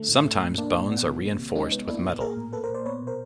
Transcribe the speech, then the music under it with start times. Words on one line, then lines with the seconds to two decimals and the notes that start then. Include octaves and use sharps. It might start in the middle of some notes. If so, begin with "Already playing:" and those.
Sometimes bones are reinforced with metal.
Already playing: D3 A3
0.09 A2
0.26 A3
0.42 A#2
0.58 A#3 D4
0.75 A#2
0.90 B3
1.07 D#3
1.22 A#3
1.39 C3
1.55 G#3 C#4 D#4
1.72 B3
1.88 A#3 D4 E4
2.04 A#2
2.20 A#3 G#4 A#4
2.37 A2
2.53 A#3 A4 B4
2.64 A#4 C5
2.69 A#2
2.74 C5 D5
2.86 B3 B4 C#5
3.02 B2
3.07 A#4 C5